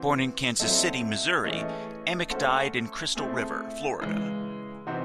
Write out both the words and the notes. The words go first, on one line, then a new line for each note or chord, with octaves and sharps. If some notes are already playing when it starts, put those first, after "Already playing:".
Born in Kansas City, Missouri, Amick died in Crystal River, Florida.
Already playing: E3 C4 F#4
F#3 C4 E4 A4 D#5
E3 A3 C#4 G#4 D#5
A3 C#4 F#4 A4 C5
A3 C4 E4 G#4
C#3 E3 G#3
C3 E3 C4 D#4 F#4